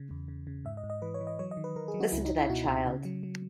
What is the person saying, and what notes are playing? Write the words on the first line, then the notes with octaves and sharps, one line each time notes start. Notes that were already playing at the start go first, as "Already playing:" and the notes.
Listen to that child!
Already playing: C#3
E2
C#3
C#3
G#2 E5
D#5
G#2
D#5
E3 B4
C#5
E3
D#5
F#3 C#5
D#5
D#3
B4
D#3 A#4
G#4
F#3
F#4
C#2 E4
D#4
C#2
E4
B2 F#4
C#2
C#3
F#3
F#3